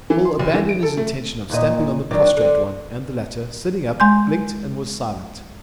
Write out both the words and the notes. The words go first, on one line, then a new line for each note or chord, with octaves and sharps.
Bill abandoned his intention of stamping on the prostrate one, and the latter, sitting up, blinked and was silent.
E3
C6
F1
E3
D7
A4
A3
D#2 A#2 D#5
D#3 F#3 D4
D3 C4
G#3 G#5 C6 G6